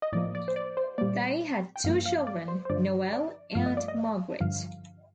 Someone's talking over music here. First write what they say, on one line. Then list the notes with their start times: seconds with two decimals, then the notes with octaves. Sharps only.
They had two children, Noel and Margaret.
0.02 D#5
0.13 A2 F3 A#3 D5
0.35 D5
0.48 C5
0.56 D5
0.77 C5
0.98 A#2 G3 A#3 D5
1.76 G5
1.84 G2 F3 A#3 F5
2.06 F5
2.27 D5
2.48 C5
2.65 C5
2.70 G2 D3 F3 D5
3.13 D5
3.55 G2 F3 A3 F5
3.66 D#5
3.77 D5
3.88 D#5
4.40 G2 D3 F3 F5